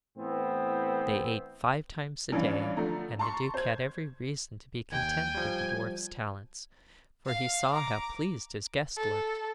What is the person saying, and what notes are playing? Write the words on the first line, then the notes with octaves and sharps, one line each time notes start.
They ate five times a day, and the duke had every reason to be content with the dwarf's talents, for he saw how pleased his guest looked.
A2 E3 B3 C4
G2 E3 F3 C#4 D4 F4
D3 F3 A3 A#5
A5 A#5 C6 C#6
C5 G#6
D#2 G5 G#5
F3 G3
F5
A#5 D6
A4